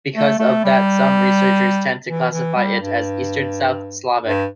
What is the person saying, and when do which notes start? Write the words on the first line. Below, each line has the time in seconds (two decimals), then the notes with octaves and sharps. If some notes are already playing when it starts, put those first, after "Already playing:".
Because of that some researchers tend to classify it as Eastern South Slavic.
0.15 A3
0.39 A3
0.64 G3
2.08 E3
2.31 E3
2.56 G3
2.81 G2
4.24 G2